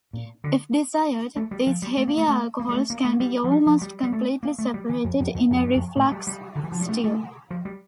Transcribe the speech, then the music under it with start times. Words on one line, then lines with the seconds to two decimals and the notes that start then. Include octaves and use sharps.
If desired, these heavier alcohols can be almost completely separated in a reflux still.
0.13 A#2
0.44 D3
1.36 A3
1.51 G3
1.67 F3
1.82 G3
1.97 A3
2.08 A#3
2.18 A3
2.28 A3
2.59 A#3
2.69 G3
2.74 A3
2.90 A#3
3.05 A3
3.20 G3
3.44 F3
3.50 G3
3.66 F3
3.81 G3
4.03 G3
4.13 A3
4.43 A#3
4.59 A3
4.74 G3
4.89 E3
5.04 F2
5.20 F2
5.35 E2
5.51 F2
5.64 G2
5.75 F2
5.96 A2
6.12 G3
6.27 G3
6.55 D3
6.64 E3
6.72 F3
6.80 G3
6.89 A3
7.04 A3
7.51 F3
7.65 G3